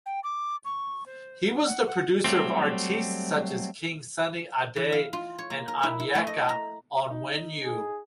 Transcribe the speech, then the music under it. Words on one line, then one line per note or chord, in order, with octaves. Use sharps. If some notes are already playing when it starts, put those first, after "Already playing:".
He was the producer of artistes such as King Sunny Ade and Onyeka Onwenu.
G5
D6
C#6
C5
F#5
F#5
F#3 G3 A3 C4
E3
F5
F4
C#5
A#3
A#4
E4
E4
A3
D#5
A#5
D#4
G#4